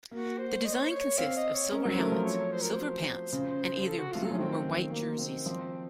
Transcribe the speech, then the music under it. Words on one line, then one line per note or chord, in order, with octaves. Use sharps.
The design consists of silver helmets, silver pants, and either blue or white jerseys.
A#3 F#4
C5
D#5
C#5
C5
C#5
C4 F5
D#5
C#5
C#4 A#4
F#3
C5
A3 A#4
F3
C#5
C5
A#4
C5
C#3
A4
F#4
A3 F4
F#3 A4
F3 C#4
D#3 C4
A#3
C4
F3